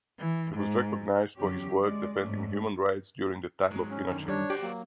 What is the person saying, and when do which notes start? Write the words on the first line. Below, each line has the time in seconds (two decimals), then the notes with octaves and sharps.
He was recognized for his work defending human rights during the time of Pinochet.
0.19 E3
0.54 G#2
1.37 F#2 D3 F#3 C#4 G4
1.81 G#3 D5
2.21 G#2 A3 C#4
3.71 G#2 F#3 G#3
3.91 C#4
4.09 F#2 D3 D#3
4.28 G3 D4 C#5
4.50 F#4 G4 C5 D5
4.62 F#3 A#3